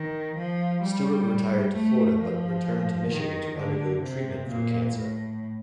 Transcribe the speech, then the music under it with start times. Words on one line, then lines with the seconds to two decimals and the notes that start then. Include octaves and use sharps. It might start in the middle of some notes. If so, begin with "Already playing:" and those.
Stewart retired to Florida but returned to Michigan to undergo treatment for cancer.
Already playing: D#3
0.37 F3
0.83 G3
1.75 A3
2.20 F3
3.12 D#3
3.57 D3
4.03 C3
4.49 A#2
4.95 A2